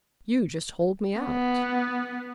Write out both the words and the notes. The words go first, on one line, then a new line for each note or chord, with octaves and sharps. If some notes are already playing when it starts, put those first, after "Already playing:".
"You just hauled me out."
B3